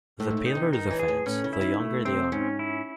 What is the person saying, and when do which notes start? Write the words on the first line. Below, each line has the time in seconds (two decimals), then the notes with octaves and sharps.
The paler the fans, the younger they are.
0.20 A2 A3
0.30 G#2
0.37 A2
0.46 D#4
0.55 C3
0.73 D#3 D#4
0.90 E3
0.99 G#4
1.08 A2
1.26 A2 C#4
1.44 C#3
1.53 E4
1.61 D#3
1.80 A3
2.05 C3 C4
2.32 G#2 C#4
2.59 E4